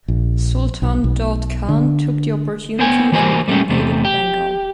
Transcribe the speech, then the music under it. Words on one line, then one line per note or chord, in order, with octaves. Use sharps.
Sultan Daud Khan took the opportunity and invaded Bengal.
A#1
B1
B1
D3
B3 C5 G5 G#5
E3 A#3 F#4 A#4 C5 G#5
G3 A3 A#3 C#4 G4
E2 C3 A3 C4
G4